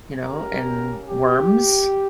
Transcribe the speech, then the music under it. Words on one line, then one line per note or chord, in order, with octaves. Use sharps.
you know, and worms.
A#3 C#4 G4 A#4
G4